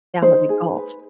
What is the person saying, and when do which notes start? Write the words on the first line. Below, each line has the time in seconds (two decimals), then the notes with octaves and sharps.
down to the Gulf
0.22 D#4 C5
0.49 G#4
0.76 B4